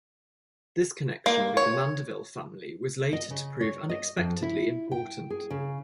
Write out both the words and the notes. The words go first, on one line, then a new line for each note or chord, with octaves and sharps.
This connection with the Mandeville family was later to prove unexpectedly important.
A#3
C#5
D#5
C#3
C#5
D#5
F2
E4
G5
G#4
C#3